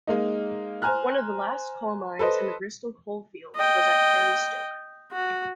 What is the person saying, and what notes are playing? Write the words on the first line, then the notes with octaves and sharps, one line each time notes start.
One of the last coal mines in the Bristol Coalfield was at Harry Stoke.
G#3 A#3 D#4
C5 G#5 A#5 F6 F#6
A4 B4 C5 D#5
D#5 G5
F#4